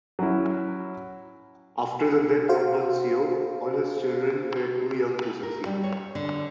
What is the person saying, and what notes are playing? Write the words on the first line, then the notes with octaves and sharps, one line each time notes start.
After the death of Bunseo, all his children were too young to succeed.
F#3 C#4 E4
F#4 C5 F5
A#4
G3
C#5
D3